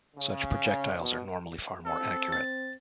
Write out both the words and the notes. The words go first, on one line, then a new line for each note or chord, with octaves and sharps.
Such projectiles are normally far more accurate.
C#3
C#4
B2
C4 A4
A6